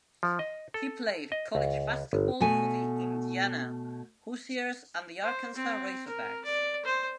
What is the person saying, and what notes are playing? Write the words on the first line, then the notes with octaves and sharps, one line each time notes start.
He played college basketball for the Indiana Hoosiers and the Arkansas Razorbacks.
F3
D#5
A4
D#5
C#2
G1
B2 A3 G#5
C5
C4
A#4
D5
C5